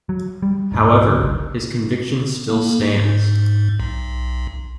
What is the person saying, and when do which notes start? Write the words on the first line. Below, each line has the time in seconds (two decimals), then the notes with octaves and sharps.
However, his conviction still stands.
0.09 F#3
0.42 G3
0.72 D1 G#2
1.06 D2 C#3
1.20 G1 C2
2.50 A#3
2.80 G#2
3.80 B1